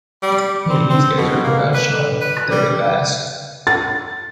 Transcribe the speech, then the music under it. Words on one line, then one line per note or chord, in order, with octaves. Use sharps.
Hey, These guys are professional. They are the best.
G3
C4
C4
B2
A#3
B4
D3
B4
G3
A6